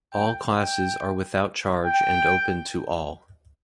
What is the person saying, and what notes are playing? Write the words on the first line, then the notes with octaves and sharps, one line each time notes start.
All classes are without charge and open to all.
G5
G5
G5